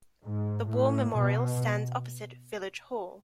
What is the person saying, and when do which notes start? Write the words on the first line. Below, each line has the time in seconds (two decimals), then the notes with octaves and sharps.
The War Memorial stands opposite Village Hall.
0.23 G#2
0.70 A2
1.16 B2